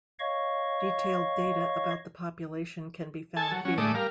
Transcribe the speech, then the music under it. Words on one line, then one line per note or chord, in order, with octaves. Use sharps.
Detailed data about the population can be found here.
C#5 D#5 F5 C#6
A4 G#5 A5
F#3
F#3 C#4
A2 G#3 A3 D5 D#6
G3 A#4 F5